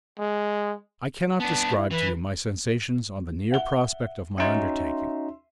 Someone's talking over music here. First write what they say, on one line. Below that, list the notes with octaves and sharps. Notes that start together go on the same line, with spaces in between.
I cannot describe to you my sensations on the near prospect of my undertaking.
G#3
B3 D4 A5
E4
E3 B4
E5 F#5 G7
C#4 D#4 F#4 E5 C6